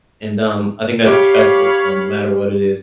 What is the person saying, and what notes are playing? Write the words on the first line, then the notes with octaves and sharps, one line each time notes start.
and, um, I think that's respectable, um, no matter what it is.
G4 C#5 F5 B5